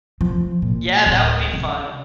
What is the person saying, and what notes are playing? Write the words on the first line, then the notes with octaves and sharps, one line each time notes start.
Yeah, that would be fun.
F3
A#2
D1
C#3